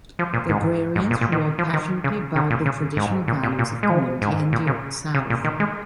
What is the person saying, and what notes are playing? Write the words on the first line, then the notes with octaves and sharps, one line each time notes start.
The Agrarians wrote passionately about the traditional values of community and the Old South.
F3
A#2
G#2
G#2
A#2
A#2
D#3
F3
D#3
C#3
C#3
A#2
C#3
G#2
A#2
A#2
A#2
G#3
F3
G#2
A#2
C#3
C#3
A#2
D#3
G#3